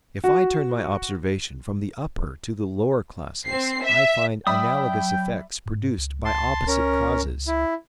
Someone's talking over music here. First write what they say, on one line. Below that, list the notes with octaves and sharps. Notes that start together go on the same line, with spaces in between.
If I turn my observation from the upper to the lower classes, I find analogous effects produced by opposite causes.
F#4
C4 C7
E5
F#3 D5 E5 G5 B5 D#6
G#2
C#2
A5 C6
C#4 A#4
E4